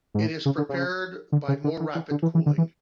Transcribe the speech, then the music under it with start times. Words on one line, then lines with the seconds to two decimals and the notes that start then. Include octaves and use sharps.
It is prepared by more rapid cooling.
0.14 G#2
0.21 A2
0.45 C#3
0.58 D3
0.69 C#3
1.32 D3
1.48 C#3
1.64 D3
1.80 E3
1.95 E3
2.11 D3
2.22 E3
2.35 E3
2.46 D3
2.58 E3